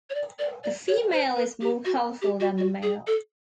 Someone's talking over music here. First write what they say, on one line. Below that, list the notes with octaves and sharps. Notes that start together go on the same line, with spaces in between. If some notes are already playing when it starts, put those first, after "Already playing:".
The female is more colourful than the male.
C#5
D5
D5
D5
C#5
C5
B4
G4
F#4
G4
F#4
F#4
G#4
A4